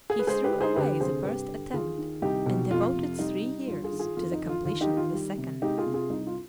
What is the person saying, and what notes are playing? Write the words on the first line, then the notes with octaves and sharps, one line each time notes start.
He threw away the first attempt, and devoted three years to the completion of the second.
G#4
B4
G#3 G#4 C5
G4 B4
D3
G#4 C5
D2 G4 B4
C3 G#4 C5
G2 G4 B4
D3
D#2 F4 G#4
D#3
C2 D#4 G4
B2
F2 F4
C3
G3 D#4
G3
G2 F4
F4 G#4
D#3
F4 G#4
F2 F4
D#4
D3
F4
D#2 F4
D#4 G4
D#3
F4
G3
C3
G#3 D#4 G4
F4 G#4
C3
F4 G#4
C2 D#4
F4